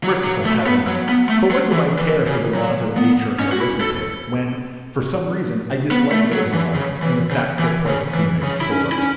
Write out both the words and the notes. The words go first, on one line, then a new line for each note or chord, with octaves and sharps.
Merciful Heavens! but what do I care for the laws of nature and arithmetic, when, for some reason I dislike those laws and the fact that twice two makes four?
F#3
F#3
A3
B3
F#3
B3
A3
F#3
E3
E3
C#3
F#3
B3
C#4
F#4
E4
A4
B3
A3
F#3
E3
C#3
E3
C#3
E3
C#3
E3
C#3
E4
C#4
E4
C#4